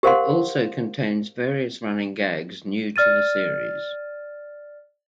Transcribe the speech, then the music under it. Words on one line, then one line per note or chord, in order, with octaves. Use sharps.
It also contains various running gags new to the series.
G4 A#4 C5 F5 F#5 C6
D5 F6 A6 D#7